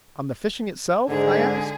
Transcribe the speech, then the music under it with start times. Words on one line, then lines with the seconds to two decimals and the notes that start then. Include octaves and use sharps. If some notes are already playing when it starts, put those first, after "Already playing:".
"On the fishing itself?" I asked.
1.09 G#2 D3 G#3 G#4